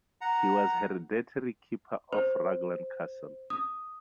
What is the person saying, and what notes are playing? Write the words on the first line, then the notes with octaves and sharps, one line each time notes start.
He was Hereditary Keeper of Raglan Castle.
F#5 A#5
C5
D#6